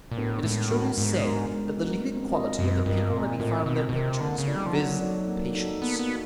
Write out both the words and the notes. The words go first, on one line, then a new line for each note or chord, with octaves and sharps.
It is truly said that the leading quality of the people may be found in their pictures; viz., patience.
A#2
A2 B3 D4 F#4 A#4
A2 G#3
B3 D4 F#4 A#4
G#2 G#3
B3 D4 F#4 A#4
G#3
B3 D4 F#4 A#4
C4
F4 A#4 D#5
F#2 C4
G2 F4 A#4 D#5
A#2 C4
A2 F4 A#4 D#5
B2 C4
B2
C3 F4 A#4 D#5
D3 A#3
C#3
D#4 F#4 A4 D5
G3
F3
F#3 A#3
D#4 F#4 A4 D5
A#3
D#4 F#4 A4 D5
A#3 B3
B3
D#4 F#4